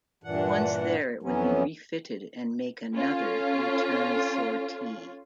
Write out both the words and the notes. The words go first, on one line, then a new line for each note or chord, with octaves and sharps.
Once there, it would be refitted and make another return sortie.
G2 A#2 E3 D4 F#5
F2 E3 F#3 B3 C#4
C#4 F4 A4